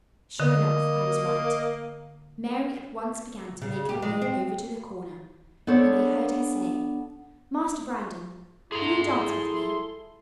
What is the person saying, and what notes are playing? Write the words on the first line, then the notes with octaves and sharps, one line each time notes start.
Sure enough, I was right. Mary at once began to make her way over to the corner, and I heard her say: "Master Brandon, will you dance with me?"
D3 A#3 D#5
C#3
G4
G#3
C4
B3 D4 A4 C5 C#5
E4 G#4 A4 A#5 C6